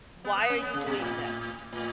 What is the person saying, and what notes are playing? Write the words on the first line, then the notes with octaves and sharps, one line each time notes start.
why are you doing this?
B3
B3
C#4
B3
C#3
B2
A2
A2